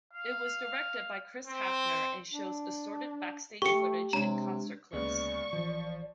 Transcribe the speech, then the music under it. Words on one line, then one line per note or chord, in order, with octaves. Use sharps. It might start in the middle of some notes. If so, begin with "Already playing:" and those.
It was directed by Chris Hafner and shows assorted backstage footage and concert clips.
F5
C4
D4
A3 G4 C#6 C#7
C3 G#3 D4 C#5 A#5
D2 C#3 G#3 A#3 B3 D5 C#6
A1 E3 F3